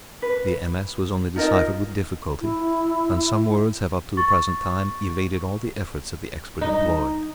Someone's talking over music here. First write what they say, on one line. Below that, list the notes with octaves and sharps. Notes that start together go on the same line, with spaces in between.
The MS. was only deciphered with difficulty, and some words have up to the present time evaded all the efforts of the expert employed.
B4
D#4 F4 A#4 D#5
E4
C#6 A6
D#4